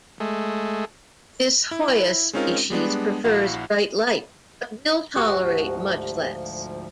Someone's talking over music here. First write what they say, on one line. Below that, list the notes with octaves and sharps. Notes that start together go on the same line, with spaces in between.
This "Hoya" species prefers bright light, but will tolerate much less.
G#3 A3
E4
G#3 C4 C#4 D#4 F4 A#4
G3 G#3 B3 D4
A#1 E4 F#4 F5
D2 G#2 F3 F#4 G4